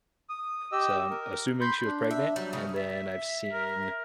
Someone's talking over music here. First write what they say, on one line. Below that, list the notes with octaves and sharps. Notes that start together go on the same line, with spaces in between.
so I'm assuming she was pregnant, and then I've seen
D#6
G4 D#5 D#6 E6
A#4
B5 C6 G6
D4
E5
F#3 G3
C#3 C#4
E5
A#4